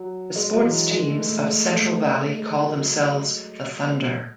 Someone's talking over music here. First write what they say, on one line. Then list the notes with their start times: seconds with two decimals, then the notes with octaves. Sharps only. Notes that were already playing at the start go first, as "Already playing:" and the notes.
The sports teams of Central Valley call themselves the Thunder.
Already playing: F#3
0.36 G#3
0.54 F#3
0.63 E3
0.91 G#3
1.09 A3
1.28 A3
1.46 G#3
1.74 A3
2.02 G#3
2.21 A3
2.39 G#3
2.58 A3
2.75 F#3